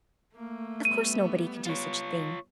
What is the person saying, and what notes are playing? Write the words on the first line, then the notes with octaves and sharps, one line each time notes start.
Of course nobody could do such a thing.
A3 A#3
G3 B3 D#7
F4 C#5